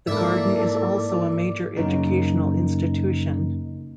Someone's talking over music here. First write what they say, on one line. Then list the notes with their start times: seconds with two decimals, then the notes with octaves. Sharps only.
The Garden is also a major educational institution.
0.07 G#2 A#3 E4 A4 D5 E5
1.77 F#2 C#3 A#3 D#4